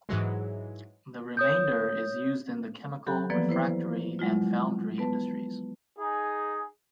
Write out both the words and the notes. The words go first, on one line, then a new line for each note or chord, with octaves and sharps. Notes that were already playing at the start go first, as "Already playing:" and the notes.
The remainder is used in the chemical, refractory, and foundry industries.
G#2 E3 F#3 G#3
C#5 D#6 G6
F#3 G4 A4 B5 F#6
E3 F3 A#3 B3 B4 D5
E4 B4 C5
F#3 G#3 E4 F4
B3 B4 A5
D#4 G#4